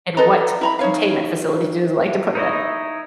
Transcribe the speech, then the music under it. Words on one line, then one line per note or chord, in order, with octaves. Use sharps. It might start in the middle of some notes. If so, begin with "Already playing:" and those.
and what containment facility do you like to put it in?
A4 B4 D#5 A#5
E4 A#5 B5
D#4 C#5 F5
D#4 E4 C#5 D#5